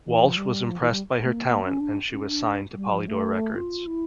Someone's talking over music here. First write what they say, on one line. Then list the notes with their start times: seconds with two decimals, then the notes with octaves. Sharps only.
Walsh was impressed by her talent and she was signed to Polydor Records.
0.06 E3
0.22 F3
0.37 G3
0.68 F3
0.80 E3
0.90 G3
1.24 A3
1.33 A#3
1.48 A#3
1.64 C#4
1.80 D4
2.11 C#4
2.29 D4
2.75 G3
2.92 F3
3.08 A3
3.55 F4
3.87 E4